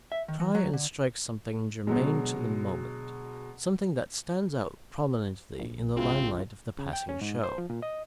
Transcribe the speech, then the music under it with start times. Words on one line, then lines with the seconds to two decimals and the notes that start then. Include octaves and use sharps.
Try and strike something germane to the moment, something that stands out prominently in the limelight of the passing show.
0.12 E5
0.28 D#3
0.40 E3
0.55 F#3
0.73 D3
1.87 B2 D3 F#3 G#3
5.60 A#1
5.97 G1 C#2 C#3 C4 F4
6.79 C#3
6.93 G5
7.09 C#4
7.21 G#2
7.44 C5
7.58 F3
7.70 A#2
7.82 D#5